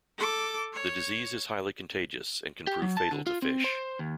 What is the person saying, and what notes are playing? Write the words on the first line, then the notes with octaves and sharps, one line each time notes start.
The disease is highly contagious and can prove fatal to fish.
A4 D6
C#5
G4
F#3
A5
D3
F4
C4
C5
D#2